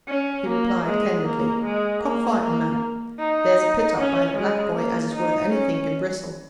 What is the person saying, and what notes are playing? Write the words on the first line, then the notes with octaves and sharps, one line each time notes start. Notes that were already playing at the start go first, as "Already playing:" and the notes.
He replied candidly, 'Cock-fightin', ma'am; there's a pit up by the "Black Boy" as is worth anythink in Brissel.'
C#4
A#3
G#3
A#3
G#3
A#3
A#3
D#4
C#4
G#3
A#3
D#4
C#4